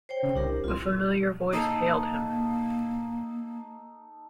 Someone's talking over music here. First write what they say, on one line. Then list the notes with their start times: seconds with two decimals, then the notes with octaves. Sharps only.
A familiar voice hailed him.
0.09 C5 C#5 G5
0.23 C#3
0.35 C2 D4 G4 A#4
0.64 C2 F4 C6
1.53 A#3 D#4 A4